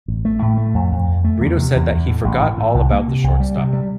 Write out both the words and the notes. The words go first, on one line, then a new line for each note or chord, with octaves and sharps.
Brito said that he "forgot all about the shortstop".
A1
A3
A2
A3
F2
F2
F2
A3
E2
C3
E2
E2
A2
A1
A2
A2
C2
A#3
C3
C2
G3
C3
G3